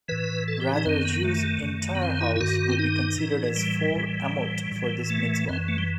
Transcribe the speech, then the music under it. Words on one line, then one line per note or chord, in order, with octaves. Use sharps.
Rather, a Jew's entire house would be considered as four "amot" for this mitzvah.
A2 E3 B4
A4
G4
D#4
F#2 D#3 C4
B3
A3
F#2 D#3
B3
C4
E4
E4
G2 D#3 F#4
C4
D#4
A2 E3
G3
A2 E3
A2 E3
A3
F#2 E3 C4
A3
G3